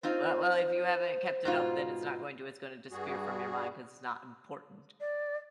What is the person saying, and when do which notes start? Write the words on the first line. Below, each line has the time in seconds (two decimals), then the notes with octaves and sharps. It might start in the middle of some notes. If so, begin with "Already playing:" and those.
Well well if you haven't kept it up, then it's not going to it's gonna disappear from your mind 'cause it's not important.
0.03 C4 D#4 F4 C5
1.45 G#2 B2 F4
2.92 G2 G3 F#4 G#4
5.00 D5